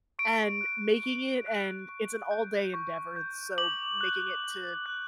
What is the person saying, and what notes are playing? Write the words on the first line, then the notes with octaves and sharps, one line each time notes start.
And making it and it's an all-day endeavor, so making it to
C#6 D7
F#6
C#6
F#6
C#6
G6
C#6
G6
D6 F#7
F#6
D6
F#6